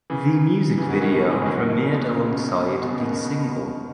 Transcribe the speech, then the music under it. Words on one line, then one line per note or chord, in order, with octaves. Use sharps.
The music video premiered alongside the single.
C#3 E3
C#3 E3
D#3 F#3
D#3 F#3
B2 D#3
C#3 E3
G#3
D#3 F#3
D#3 F#3
B2 D#3
C#3
B2
B2
C#3
B2
B2
C#3
B2
C#3
B2 D#3
C#3
B2